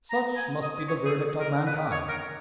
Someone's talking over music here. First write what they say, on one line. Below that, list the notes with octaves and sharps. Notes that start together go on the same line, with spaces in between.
Such must be the verdict of mankind.
A#5
G#5
D#5
C#5
G#4
A#4
B4
C#5
A#4